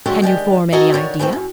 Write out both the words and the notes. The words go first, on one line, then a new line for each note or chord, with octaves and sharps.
Can you form any idea?
D3 F#3 G#3 A3 G4 A4
D#3 G#3 D4 G4
F2 D#4 F#4 A4 D#5 G#5
D3 D#3 C#5
E3 F3 A3 C4
F#2